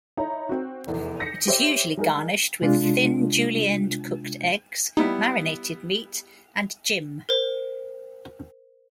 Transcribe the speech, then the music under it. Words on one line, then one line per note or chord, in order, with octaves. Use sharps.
It is usually garnished with thin julienned cooked eggs, marinated meat, and "gim".
D#4 E4 C#5 A#5
C4 F#4
F1 E2 E3
G6 A#6 B6 C#7
G4 C5 C#5 E5
G3 G#3 D#4 A#4
C3 G#3 D4 F4
G3 B3 D#4 E4
A#4 C5